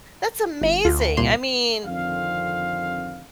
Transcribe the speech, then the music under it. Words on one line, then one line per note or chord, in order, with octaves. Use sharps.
that's amazing I mean
G1
D2 F4
C2 A#2 C6
F2 D3 D#3 C4 F5